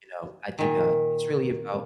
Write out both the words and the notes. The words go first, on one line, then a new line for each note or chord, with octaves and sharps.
uh, you know, I think, uh, it's really about,
A#2 D#3